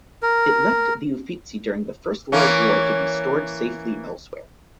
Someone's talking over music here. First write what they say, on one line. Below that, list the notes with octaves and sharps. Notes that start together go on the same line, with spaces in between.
It left the Uffizi during the First World War to be stored safely elsewhere.
A#4
E3 A#3 C#4